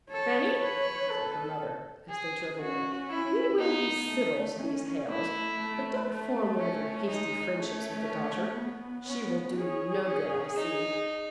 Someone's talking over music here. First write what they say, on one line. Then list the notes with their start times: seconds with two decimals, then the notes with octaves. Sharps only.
'Fanny!' said her mother, as they drove away, 'we will be civil to these Hales: but don't form one of your hasty friendships with the daughter. She will do you no good, I see.
0.10 A4 C#5
0.60 B4
1.10 A4
2.09 G#4
2.59 C#4 F#4
3.09 E4
3.59 B3 D#4
4.08 A3
4.58 C#4
5.08 A3 E4
5.58 A3
6.08 A3
6.58 C#4
7.07 G#3 D#4
7.56 A3 C#4
8.57 B3
9.06 C#4
9.56 C#4 G#4
10.06 C#4
10.56 D#4